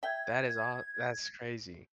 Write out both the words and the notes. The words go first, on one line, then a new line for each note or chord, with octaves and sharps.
That is aw that's crazy.
E5 G5 G#6